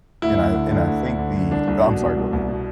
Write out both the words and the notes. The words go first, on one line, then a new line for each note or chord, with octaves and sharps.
And I and I think the Oh, I'm sorry, go ahead.
D2 E4
D2
D3
D3
D2
D2
D3
D3
C2 D4
C2
B2
B2
C2
C2
B2